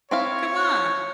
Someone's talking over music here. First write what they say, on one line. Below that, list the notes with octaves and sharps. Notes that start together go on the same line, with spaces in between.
Like, come on."
C4 E4 C#5 F5